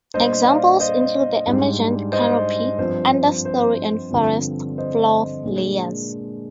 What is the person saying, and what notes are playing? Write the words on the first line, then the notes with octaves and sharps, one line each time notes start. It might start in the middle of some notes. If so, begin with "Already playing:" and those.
Examples include the emergent, canopy, understorey and forest floor layers.
A#2 G3 D4 C5 D#5
D5 F5
C5 D#5
G#2 G3 D4
C5 D#5
G2 F3 C4 C5
C5
G2 D3 F3 C4
C5 D#5
A#2 G#3 D4